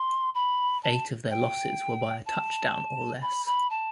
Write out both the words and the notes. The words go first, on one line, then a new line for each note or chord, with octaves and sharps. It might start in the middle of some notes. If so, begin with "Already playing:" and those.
Eight of their losses were by a touchdown or less.
Already playing: C6
B5
A5
G5
A5
B5
B5
A5